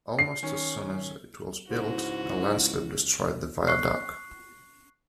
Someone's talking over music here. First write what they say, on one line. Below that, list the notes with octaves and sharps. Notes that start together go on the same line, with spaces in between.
Almost as soon as it was built a landslip destroyed the viaduct.
C7
D#3 C#4
C#2 G#2 E4 F#4
C#6 F#6 C7